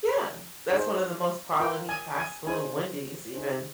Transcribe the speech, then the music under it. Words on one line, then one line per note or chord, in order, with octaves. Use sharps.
Yeah, that's one of the most quality fast food Wendy's even.
D#4 G#4 C5
F4 A#4 G5
G#5
G#5
D#4 G#4 C5 G#5
D#4 G#4 C5